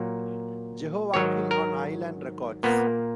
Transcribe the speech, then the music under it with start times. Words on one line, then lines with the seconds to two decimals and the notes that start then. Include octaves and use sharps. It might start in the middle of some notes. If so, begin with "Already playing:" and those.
"Jehovahkill", on Island Records.
Already playing: A#2 F#3 A#3
1.14 G#2 D#3 F#3 C#5
1.51 A#4
2.63 A#2 A#3 B3